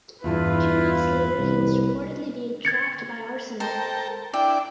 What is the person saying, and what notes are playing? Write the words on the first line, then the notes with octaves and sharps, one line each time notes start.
Two months later he was reportedly being tracked by Arsenal.
E2 G2 E3 E4 F4 B4
C2
G#6 A6 C#7
A4 A#4 C5 G5
D4 E4 D5 G5